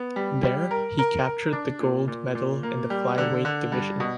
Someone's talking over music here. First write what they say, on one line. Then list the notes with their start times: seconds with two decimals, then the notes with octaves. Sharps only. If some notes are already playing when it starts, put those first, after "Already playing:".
There he captured the gold medal in the flyweight division.
Already playing: B3
0.16 G3
0.43 G3
0.71 A#4
0.99 A#4
1.25 A#4
1.53 D4
1.80 A#2
2.08 A#2
2.35 A#2
2.63 A#3
2.90 G3
3.18 D3
3.45 D3
3.72 G2
4.00 B2